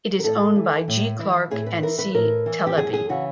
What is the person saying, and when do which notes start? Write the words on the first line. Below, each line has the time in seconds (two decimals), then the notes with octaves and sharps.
It is owned by G Clarke and C Talevi.
0.19 A#4
0.24 A2 A4
0.56 E3
0.88 A2
1.19 E3
1.51 A2 G#4
1.66 B4
1.83 E3 A#4
1.99 B4
2.14 A2 A#4
2.46 E3
2.67 G4
2.78 F#2 G#4
2.93 G#4
3.09 C#3 E3 F#4